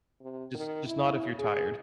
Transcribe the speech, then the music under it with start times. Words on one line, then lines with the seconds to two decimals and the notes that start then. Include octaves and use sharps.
Just just not if you're tired,
0.21 C3
0.55 D#3
0.86 E4
1.39 G#4